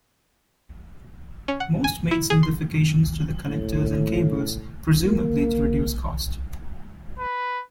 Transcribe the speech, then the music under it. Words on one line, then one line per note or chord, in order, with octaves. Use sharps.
Most made simplifications to the connectors and cables, presumably to reduce costs.
C#4
F#5
G#5
E4
G#4
C6
A2
A#3
B4